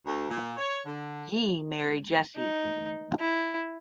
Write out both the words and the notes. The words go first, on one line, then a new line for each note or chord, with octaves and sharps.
He married Jessie.
D2
A#2
C#5
D3
D#4
E4